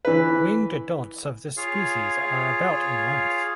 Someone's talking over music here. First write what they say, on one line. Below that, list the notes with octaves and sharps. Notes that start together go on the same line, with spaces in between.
Winged adults of this species are about in length.
E3 B4
F4 G#4 C#5 F5